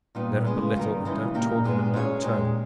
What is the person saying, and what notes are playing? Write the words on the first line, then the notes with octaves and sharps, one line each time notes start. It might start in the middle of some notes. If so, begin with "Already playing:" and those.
Let up a little, and don't talk in a loud tone.
A#2 G3 B3 D#4
C#3 G#3 B3
D#3 G3 B3 G4 A#4
C#3 E3 G#3 D#4
A#2 A#3 D#4 G4 A#4
A#2 G#3 B3
G#3 C#4 E4 G#4 C#5
A#2 G#3 D#4 G4